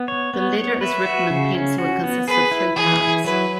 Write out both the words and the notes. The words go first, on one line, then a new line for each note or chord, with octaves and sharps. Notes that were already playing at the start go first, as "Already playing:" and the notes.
The letter is written in pencil and consists of three parts.
Already playing: B3
C#5
B3
C#5
B4 E5
F#4
C#3
C#4
F#4
B3
G#4 B4
E4
E3 G#4
E4
F#3 B4